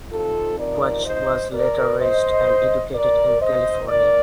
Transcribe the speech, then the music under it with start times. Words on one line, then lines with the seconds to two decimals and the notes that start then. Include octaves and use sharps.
Quach was later raised and educated in California.
0.11 C3 F3 C4 D#4 F4 A4
0.58 A#4 D5
1.05 C5 D#5
1.52 A#4 D5
2.00 C5 D#5
2.94 A#4 D5
3.41 C5 D#5
3.89 D#3 A#3 D#4 A#4 D5